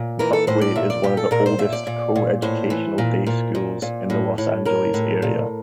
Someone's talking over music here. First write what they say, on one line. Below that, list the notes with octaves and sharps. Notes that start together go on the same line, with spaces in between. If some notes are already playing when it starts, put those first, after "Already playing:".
Buckley is one of the oldest co-educational day schools in the Los Angeles area.
Already playing: A#2
E3 A#4
A4
A2 C5
D5
A#2 E5
D5
A#2 G4
A4
A#2 A#4
C5
A#2 E5
D5
A#2
A#2
A2 C5
E3
A#2
A#2
A#2
A#2
A2
A2
A2 A#4
A2
A#2